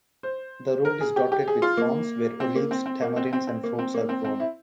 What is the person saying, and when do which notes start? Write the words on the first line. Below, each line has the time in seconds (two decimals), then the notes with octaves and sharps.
The road is dotted with farms where olives, tamarinds, and fruits are grown.
0.23 C5
0.85 A#4
1.01 G#4
1.16 G4
1.32 G4
1.48 G#4
1.62 F4
1.77 A#3
2.40 C4
2.55 A#3
2.71 C4
2.86 C4
3.02 A#3
3.16 C4
3.33 C4
3.47 C4
3.64 A#3
3.79 C4
3.94 A#3
4.09 C4
4.25 C4
4.40 E4